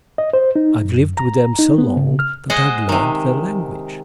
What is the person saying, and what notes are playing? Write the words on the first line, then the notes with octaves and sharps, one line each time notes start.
"I've lived with them so long that I've learned their language."
D#5
C5
D#4
F#2
A#5
D#4
B3
C#3
F6
G#3 C5 D#5 F#5
C3 D#3